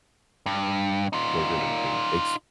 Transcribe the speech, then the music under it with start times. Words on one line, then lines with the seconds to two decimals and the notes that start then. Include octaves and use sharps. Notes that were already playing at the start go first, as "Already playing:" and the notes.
they really do. Ex
0.46 G2
1.13 D#4 F4